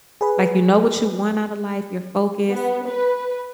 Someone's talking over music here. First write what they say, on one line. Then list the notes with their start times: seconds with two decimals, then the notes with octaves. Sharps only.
Like, you know what you want outta life, you're focused,
0.21 G#4 B4
2.52 B3
2.87 B4